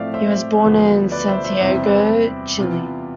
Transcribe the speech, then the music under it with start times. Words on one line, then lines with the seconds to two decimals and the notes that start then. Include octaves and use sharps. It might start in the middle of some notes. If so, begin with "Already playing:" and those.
He was born in Santiago, Chile.
Already playing: A2 F3 A3 C4 C5 D5 E5 F5
0.14 C5 E5
0.63 D2 D3 F3 B3
1.12 B4 D5
1.28 C5 E5
1.44 C5 E5
1.60 E2 C3 G3 C4 E4 C5 E5
1.85 B4 D5
2.59 C3 E3 B3 F4